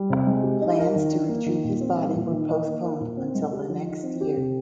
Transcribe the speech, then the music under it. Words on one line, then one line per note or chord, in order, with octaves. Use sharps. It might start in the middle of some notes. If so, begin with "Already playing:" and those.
Plans to retrieve his body were postponed until the next year.
Already playing: G3
C3
G#3
G4
D#4
A#4
D#3
D4
A#3
D#3
A#2
C4
G3
A#2
D#3
D#4
A#3
A#4
A#2
C4
G#3
G4
F3
D#4
C4
G4
C3